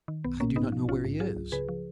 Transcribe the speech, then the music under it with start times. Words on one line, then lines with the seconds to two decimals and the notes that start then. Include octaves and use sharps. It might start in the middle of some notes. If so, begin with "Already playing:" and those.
"I do not know where he is."
0.08 D#3
0.24 B1 B3
0.40 A#2 A#3 C#4
0.56 G#2 B3 D#4
0.72 F3
0.88 A#1 C#4 F4
1.04 G#2
1.20 F#3 F4 G#4
1.36 C#2
1.52 C#3 G#4 B4
1.69 F3